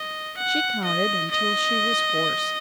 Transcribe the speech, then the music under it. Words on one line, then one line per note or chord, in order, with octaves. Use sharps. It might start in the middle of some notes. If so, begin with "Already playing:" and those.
She counted until she was hoarse.
Already playing: D#5
F#5
D#5
D#5